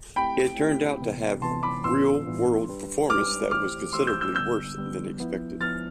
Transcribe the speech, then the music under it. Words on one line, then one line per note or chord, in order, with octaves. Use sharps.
It turned out to have "real world" performance that was considerably worse than expected.
A3 C4 E4 G4 G5 B5
A3 C4 E4 G4
C3 E3 B3
C3 E3 B3 A5 C6
B5 D6
A2 E3 B3 D4 F4 C6 E6
A2 E3 B3 D4 F4
G3 D4 G4 B4
G3 D4 G4 B4 D6 F6
E3 A3 E4 G4 C5 D6 F6
E3 A3 E4 G4 C5 C6 E6
E6 G6
E6 G6
D3 G3 B3 E6 G6
D3 G3 B3
F3 B3 E4
F3 B3 E4 F6 A6